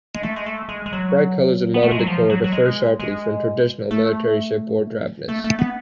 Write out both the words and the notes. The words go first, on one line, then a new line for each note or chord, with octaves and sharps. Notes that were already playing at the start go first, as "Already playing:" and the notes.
Bright colors and modern decor differ sharply from traditional military shipboard drabness.
G#3
A3
G#3
A3
G#3
G#3
F#3
B3
A3
G#3
F#3
F3
F#3
F#3
G#3
G#3
A3
A3
A3
B3